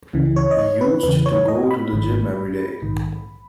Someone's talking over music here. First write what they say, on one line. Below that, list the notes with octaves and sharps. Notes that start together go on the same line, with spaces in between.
He used to go to the gym every day.
C#2 C#3 E3
C#5
D#5
C#5
B4
E2 C#3 E3 B4
C#5
D#5
B5
G#1 G#2 D#3
A#1 G#2 D#3